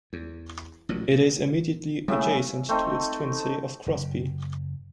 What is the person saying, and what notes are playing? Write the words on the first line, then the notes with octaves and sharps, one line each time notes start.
It is immediately adjacent to its twin city of Crosby.
E2
A1 A#2 F#3
A#2
A2 C#3 G3 A#3 E5
A3 C4 D#4
F#1